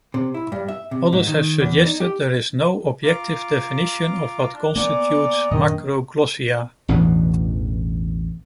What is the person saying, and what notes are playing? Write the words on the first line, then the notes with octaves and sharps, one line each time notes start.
Others have suggested there is no objective definition of what constitutes macroglossia.
C3
E4
G2
E5
C3
G#2
D#3
E2
D#4
G4
F4 A#5 D6
D4
A#3 B3 D5 F#5 G#5 A#5
F#2 A#2 D#3 D4 D#5
A1 E2 G2 B2